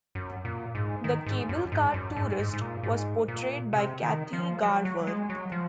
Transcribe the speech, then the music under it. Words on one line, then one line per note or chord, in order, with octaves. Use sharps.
The Cable car tourist was portrayed by Kathy Garver.
F#2
A#2
G#2
D#3
G#2
F#2
G#2
F#2
G#2
G#2
G#2
A#2
G#2
A#2
C3
D#3
F3
F#3
F#3
G#3
F#3
F3